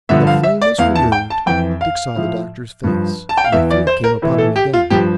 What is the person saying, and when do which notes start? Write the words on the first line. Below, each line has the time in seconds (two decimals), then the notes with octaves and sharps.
When the flame was removed, Dick saw the doctor's face, and the fear came upon him again.
0.09 G2 D3 F3 E5
0.27 F5
0.43 E5
0.61 D5
0.78 E2 E3 F5
0.95 A5
1.12 G5
1.30 A5
1.46 F2 E3 G5
1.81 F5
2.16 A2 F3
2.84 G2 F3
3.29 A5
3.37 G5
3.44 F5
3.52 E2 E3 E5
3.70 D5
3.87 C5
4.04 A#4
4.22 A2 E3
4.38 A4
4.56 G4
4.73 F4
4.90 G2 F3 G4